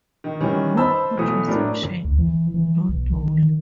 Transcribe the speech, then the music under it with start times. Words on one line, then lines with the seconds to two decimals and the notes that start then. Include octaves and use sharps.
No Contraception, No Dole.
0.24 D#3
0.40 D#3 E3 G3 C#4
0.77 B4 C5 D#5 A5 B5 E6
1.17 B1 E3 F#3 A3 D#6
1.48 A2 D4 A#4
2.04 D2
2.19 E3
2.54 E3
2.89 B1
3.13 D#3